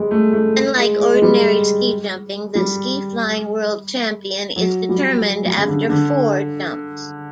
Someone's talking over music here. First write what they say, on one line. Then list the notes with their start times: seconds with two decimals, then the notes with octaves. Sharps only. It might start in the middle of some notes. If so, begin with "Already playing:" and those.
Unlike ordinary ski jumping, the Ski Flying World Champion is determined after four jumps.
Already playing: G3 G#3
0.11 A3
0.33 A3
0.77 G#3
0.99 G#3
1.14 G#3
1.22 G3
2.55 G3
4.56 F#3
4.89 G3
5.45 G3
5.57 C#3
5.67 D3
5.90 D3